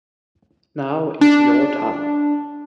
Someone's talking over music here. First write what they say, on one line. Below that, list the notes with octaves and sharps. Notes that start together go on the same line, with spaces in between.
Now is your time.
D4